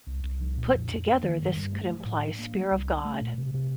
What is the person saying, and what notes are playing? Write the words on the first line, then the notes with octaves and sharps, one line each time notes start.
Put together this could imply Spear of God.
C2
C2
F3
A#2
F2
D4
A#3
D#3
G2
G2
A3
F3
A2
D4
A#3
G3
C2
D4
A3
A#2
C3
C3